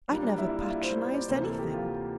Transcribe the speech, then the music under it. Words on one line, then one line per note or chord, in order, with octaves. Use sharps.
I never patronised anything.
A#2 G3 A#3 D4
D4
E4
F4
E4
C5
C5
D5
D2 C3 E3 A#3 C5
A4
G4
F4